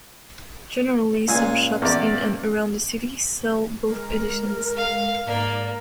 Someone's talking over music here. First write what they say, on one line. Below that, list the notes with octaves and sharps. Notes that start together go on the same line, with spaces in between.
Generally some shops in and around the city sell both editions.
C#2 A#2 G#5
E2 D5
G#3 A#4
F5
G#2 A#3 D5